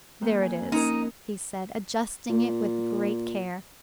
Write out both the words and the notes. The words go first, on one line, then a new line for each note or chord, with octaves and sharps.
"There it is!" he said, adjusting it with great care.
F2 A#3 G6
G#5
A#3 C#4 D#4 A#4
A#2